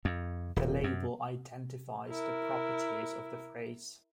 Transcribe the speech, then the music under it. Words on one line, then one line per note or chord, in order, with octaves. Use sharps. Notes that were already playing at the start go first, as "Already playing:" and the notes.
The label identifies the properties of the phrase.
F2
D#1
F#2
E4 A#4